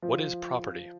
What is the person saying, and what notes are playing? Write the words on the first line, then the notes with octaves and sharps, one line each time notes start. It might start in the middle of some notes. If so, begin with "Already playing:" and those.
What Is Property?
F3